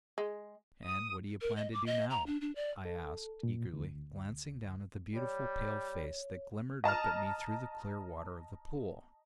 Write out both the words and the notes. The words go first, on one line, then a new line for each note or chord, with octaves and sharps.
"And what do you plan to do now?" I asked eagerly, glancing down at the beautiful pale face that glimmered up at me through the clear water of the pool.
G#3
D#6
A#4
D#5
D6
D#5
A#5
D4
D4
D5
A4
A#2
D2
G3 C#5
D#5 A5 A#5 F6